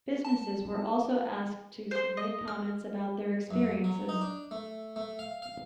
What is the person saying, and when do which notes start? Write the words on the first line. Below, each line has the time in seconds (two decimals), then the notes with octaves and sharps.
Businesses were also asked to submit comments about their experiences.
0.25 A5
1.91 C5 C6
2.17 D#5
2.48 F6
3.51 F#2
3.84 F#3
4.09 D#4
4.21 D4
4.51 A3
4.96 A3
5.19 F5
5.42 F5